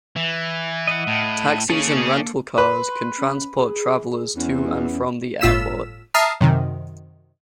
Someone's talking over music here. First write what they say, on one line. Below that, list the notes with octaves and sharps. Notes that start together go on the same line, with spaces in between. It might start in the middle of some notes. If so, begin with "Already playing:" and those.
Taxis and rental cars can transport travelers to and from the airport.
E3
D#5 E5 F#5
A2
A#3 C#4 G#4 A4
B4 C6
C#4
G#4
E2 C#4
G1 A2 F4 E6 B6 E7
E5 A5 A#5 D#6 F6 C7
F#2 C3 D#3